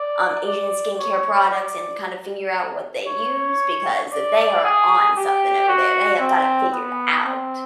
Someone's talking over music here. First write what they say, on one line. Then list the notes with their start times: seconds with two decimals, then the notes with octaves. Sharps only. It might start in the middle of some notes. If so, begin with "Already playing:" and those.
um, Asian skincare products and kind of figure out what they use, because they are on something over there, they have got it figured out.
Already playing: D5
0.46 D5
0.99 C#5
1.50 D5
3.07 C#5
4.12 D5
4.64 G#4
5.16 G4
5.68 F#4
6.20 C4
6.72 B3
7.25 C4